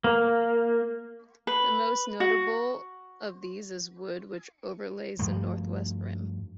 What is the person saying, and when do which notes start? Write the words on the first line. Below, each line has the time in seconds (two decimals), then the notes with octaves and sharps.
The most notable of these is Wood, which overlays the northwest rim.
0.04 A#3
1.47 B4
2.20 F#4
5.19 G2 F3 A3